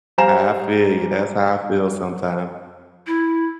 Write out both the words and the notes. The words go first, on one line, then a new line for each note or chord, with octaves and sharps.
I feel you, that's how I feel sometimes.
G3 C5 F5 G#5 A#5 E7
E4